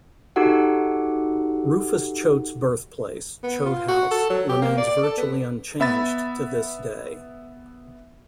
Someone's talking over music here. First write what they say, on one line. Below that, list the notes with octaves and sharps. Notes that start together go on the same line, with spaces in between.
Rufus Choate's birthplace, Choate House, remains virtually unchanged to this day.
D#4 F#4 G4 A4 F#5
B3
F4
F#4
A4
F#3
G4
A#3
D5
A4
B3
B3 E5 B5 A6